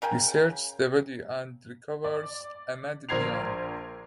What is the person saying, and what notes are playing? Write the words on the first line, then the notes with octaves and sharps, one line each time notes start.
He searches the body and recovers a medallion.
C#3 A#4 G5 G#5
D5
A#1 A#4 C5 G#6 C7 F7